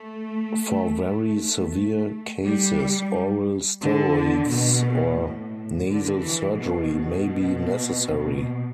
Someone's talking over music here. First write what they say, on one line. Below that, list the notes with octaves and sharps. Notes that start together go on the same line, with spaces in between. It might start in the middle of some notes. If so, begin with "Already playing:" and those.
For very severe cases, oral steroids or nasal surgery may be necessary.
Already playing: A3
A3
G3
D3
B2
A2
D3
E3
B2